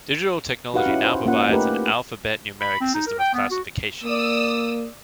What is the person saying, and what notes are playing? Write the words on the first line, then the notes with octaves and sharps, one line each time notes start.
Digital technology now provides an alphabet-numeric system of classification.
D#4 F#4 G4 B4 F5 F#5
C#4 E4
C5
A#3 C#4 F4 F#5
A3 D#4 G4 A#4 B4
B5
C4
D#4
A#4
G5
B3
F#4
A#3 D5 D#6 E6